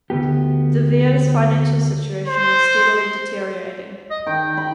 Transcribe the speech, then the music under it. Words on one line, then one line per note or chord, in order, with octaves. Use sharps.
De Vere's financial situation was steadily deteriorating.
D2 G#2 B3 G4
C5
D#5
D#3 G5
B5